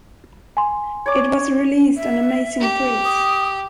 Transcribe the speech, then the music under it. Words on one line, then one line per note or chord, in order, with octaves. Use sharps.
It was released on Amazing Thrills!
G#5 C6
C#5 D5 D6
E5
G4
D#6